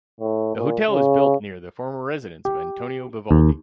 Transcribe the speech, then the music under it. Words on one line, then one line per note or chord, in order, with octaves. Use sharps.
The hotel is built near the former residence of Antonio Vivaldi.
A2
A#2
C#3
G4
D#2